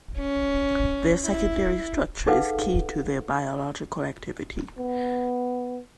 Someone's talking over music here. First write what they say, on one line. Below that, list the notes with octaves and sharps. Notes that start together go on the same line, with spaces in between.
Their secondary structure is key to their biological activity.
C#4
E4
D#4 G#4 A4 B4 F5 F#5
B3